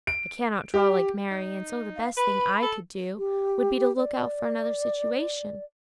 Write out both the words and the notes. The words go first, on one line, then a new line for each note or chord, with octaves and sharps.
I cannot draw like Mary, and so the best thing I could do would be to look out for another situation.'
D7
G4
D#4
F5
B4 B5
A4
G4
D5